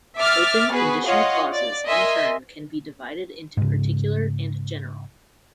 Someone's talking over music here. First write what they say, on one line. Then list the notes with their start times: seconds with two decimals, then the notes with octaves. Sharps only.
Open conditional clauses in turn can be divided into particular and general.
0.18 E5 D6 F6 A6
0.71 B3 F#4 G#4 B4
1.06 F4 C#5 D#5 F5 F#5
1.54 D5
1.87 A#4 D#5 E5 G#5 C6
3.57 G#2 C#3